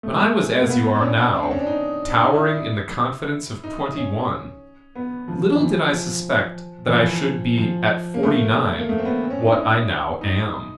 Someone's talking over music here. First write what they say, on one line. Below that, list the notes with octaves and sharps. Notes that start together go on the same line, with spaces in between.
When I was as you are now, towering in the confidence of twenty-one, little did I suspect that I should be at forty-nine, what I now am.
A3
G#3
A3
A#3
B3
C4
D4
C#4
D4
C4
C#4
D4
D#4
D4
D#4
E4
D#4
C#4
B3
F3
E3
F3
F3
E3
F3
F3
A#3
A3
A#3
A3
C4
B3
C4
C#4
D4
D#4
E4
D#4